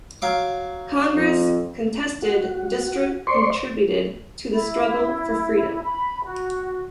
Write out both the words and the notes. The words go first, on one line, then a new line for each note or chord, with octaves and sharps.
Congress contested district contributed to the struggle for freedom.
F#3 F5 D6
F2
F#4
C5 D5 C6 C#6
E4
B5
F#4